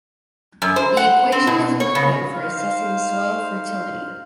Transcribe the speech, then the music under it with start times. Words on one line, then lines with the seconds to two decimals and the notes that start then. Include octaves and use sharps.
The equation is important for assessing soil fertility.
0.62 F#2
0.76 C5
0.97 F#5
1.32 C4
1.47 B2
1.80 C#5
1.95 C#3
2.32 D#4 C5 F5